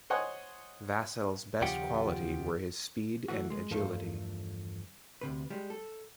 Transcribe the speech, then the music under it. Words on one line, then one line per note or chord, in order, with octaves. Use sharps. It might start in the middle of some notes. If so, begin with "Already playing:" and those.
Vassell's best qualities were his speed and agility.
C5 C#5 D#5 F#5 G#5
D#2 C#3 F3 F4 G4 F#5
E3 A3 F#4
G#3
E2 G2 F3 A3 A4 A#4
D2 C3 B4
G3 G#3
A4